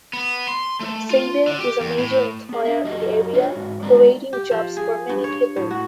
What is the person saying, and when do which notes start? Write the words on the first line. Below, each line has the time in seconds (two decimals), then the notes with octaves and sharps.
Sabian is a major employer in the area, creating jobs for many people.
0.13 B3
0.48 C6
0.80 A3
1.10 F4
1.47 D3
1.61 G4
1.80 E2
1.98 A2
2.49 B3 G#4
2.65 D4 E5
2.84 F#2 F#4 G4 D#5
3.33 D4 F4 B4 C#5
3.52 G#2 F#4
3.83 G3 G#3 C4 D4 F#4 A#4
4.33 G4
4.51 F3
4.77 G#4
5.09 G2
5.24 C#5
5.56 A2
5.71 F#4